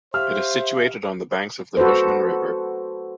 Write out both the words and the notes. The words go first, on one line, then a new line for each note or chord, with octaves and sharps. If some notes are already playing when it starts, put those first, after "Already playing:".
It is situated on the banks of the Bushman River.
G4 C5 E5 F5 F6
F#4 A4 B4 C5